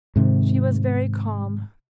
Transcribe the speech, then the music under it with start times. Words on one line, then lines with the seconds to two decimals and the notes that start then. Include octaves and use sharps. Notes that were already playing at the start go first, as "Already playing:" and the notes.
She was very calm.
0.16 G#2 C3 D#3